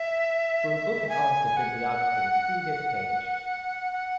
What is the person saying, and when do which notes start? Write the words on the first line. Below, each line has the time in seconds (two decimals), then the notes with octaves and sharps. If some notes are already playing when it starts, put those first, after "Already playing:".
For a book and article bibliography, see this page.
Already playing: E5
1.09 G#5
1.57 F#5
3.93 F#5